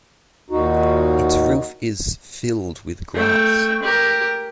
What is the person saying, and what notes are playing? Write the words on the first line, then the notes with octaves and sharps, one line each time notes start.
Its roof is filled with grass.
D#2 A#2 D#4 F#4
A3 G5
G4 A#4